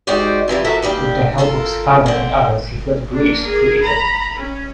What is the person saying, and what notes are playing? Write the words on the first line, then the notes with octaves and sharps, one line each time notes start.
With the help of his father and others he fled Greece through Italy.
G#3 D#4 F#4 G4 C5 D5
C3 E3 F3 G3
F3 A3 A#3 F#4 A4 E5
D#2 G3 G4
F4 A4 A#4
D3 C4
A#3 D4
G#4 A#4
A#5 B5
C#4